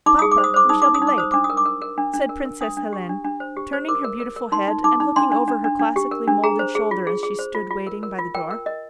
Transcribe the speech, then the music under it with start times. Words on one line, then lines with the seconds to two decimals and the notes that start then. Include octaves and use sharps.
"Papa, we shall be late," said Princess Helene, turning her beautiful head and looking over her classically molded shoulder as she stood waiting by the door.
0.06 D#4 D6
0.19 G#4 D#6
0.31 D6
0.38 C5
0.44 D#6
0.54 C5 D6
0.69 D#4 D#6
0.82 D#4 D6
0.94 D#6
1.02 D#4
1.07 D6
1.18 C5 D#6
1.32 D4 D6
1.44 D#6
1.50 A#4
1.57 D6
1.66 A#4
1.82 A#4
1.98 D4
2.14 D4
2.29 A#4
2.45 A#4
2.61 D4 D#6
2.77 D4
2.93 G4
3.09 D4
3.25 D4
3.40 C5
3.57 G4
3.73 C5
3.89 A#4 D6
4.04 A#4
4.20 A#4
4.36 A#4
4.52 D#4 C6
4.68 D#4
4.84 D#4 D6
5.00 D#4
5.16 D4 C6
5.32 D4
5.48 D4
5.64 D4
5.80 D4
5.96 G4
6.11 A#4
6.28 D4
6.44 G#4 A#5
6.59 C5
6.75 G#4
6.91 F4
7.07 G#4
7.23 G#4
7.39 C5
7.55 F4
7.71 F4
7.87 A#4
8.03 A#4
8.18 F4
8.35 A#4 G5
8.50 A#4
8.66 A#4 D#5